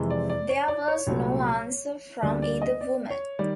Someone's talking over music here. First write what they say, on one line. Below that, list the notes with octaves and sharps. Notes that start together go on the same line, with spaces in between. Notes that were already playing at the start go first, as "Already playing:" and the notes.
There was no answer from either woman.
Already playing: F2 C3 E3 G#3
D5
D5
C#5
D5
C#5
C2 A#2 F#3 A3
D2 D3 G3 A#3 D5
D5
D#5
D5
C#5
D#3 G3 D5